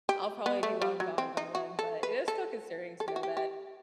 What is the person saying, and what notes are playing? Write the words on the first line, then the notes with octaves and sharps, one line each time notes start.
I'll probably be long gone by then, but it is still concerning to know that
G4
B3
A3
G3
F#3
C4
D#4
F#4
A4
B4
A4
A4
G4
F#4
G4
G4